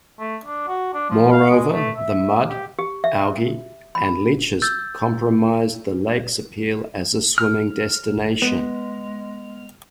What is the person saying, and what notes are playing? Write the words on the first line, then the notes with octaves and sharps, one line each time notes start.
Moreover, the mud, algae, and leeches compromised the lake's appeal as a swimming destination.
A3
D4
F#4
D4
F3
F5
G#3
A3
E5
G4
G4
E5
B5
E6 G6 A6
F6
G#3 B3